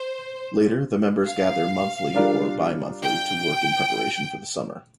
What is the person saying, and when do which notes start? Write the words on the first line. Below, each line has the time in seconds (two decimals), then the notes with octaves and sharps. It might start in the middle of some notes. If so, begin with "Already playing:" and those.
Later, the members gather monthly or bimonthly to work in preparation for the summer.
Already playing: C5
1.26 F5
2.15 G3 D4 F4 A#4 D5
3.02 G5